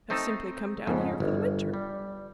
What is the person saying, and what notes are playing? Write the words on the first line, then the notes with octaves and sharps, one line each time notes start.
I've simply come down here for the winter.
A3 C4 D#4 C5 A5
F2 G#2 C#3
G1
G3